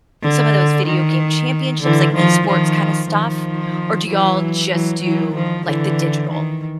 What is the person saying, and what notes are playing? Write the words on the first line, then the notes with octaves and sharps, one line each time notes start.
some of those video game championships, like esports kind of stuff, or do y'all just do, like, the digital?
D3
D#3
D3 E3
D#3 F3
D#3 F3
D#3 F3
E3 F#3
E3 F#3
E3 F#3
D#3 F3
D3 E3
D#3